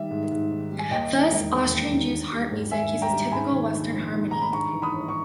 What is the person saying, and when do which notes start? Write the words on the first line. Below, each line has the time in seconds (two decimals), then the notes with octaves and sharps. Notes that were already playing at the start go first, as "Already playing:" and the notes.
Thus, Austrian Jew's harp music uses typical Western harmony.
Already playing: D#3 G3 E5
0.11 G#2
0.31 G#2
0.51 D#3
0.72 G3
0.79 G#5
0.91 D#2 D#5 G5
1.11 D#3
1.31 E1
1.52 E1
1.71 D#2
1.92 D#3
2.12 G2
2.32 G3
2.51 G#1
2.71 G#1 E5 G#5
2.93 G2
3.02 G5 A#5
3.12 G3
3.32 G#2 G#5 B5
3.52 D#3
3.72 A#1
3.92 A#1
4.13 G#2
4.31 D#3 A#5
4.42 B5
4.53 G2 A#5 C#6
4.73 E3
4.82 B5 D#6
4.93 G1
5.08 C#6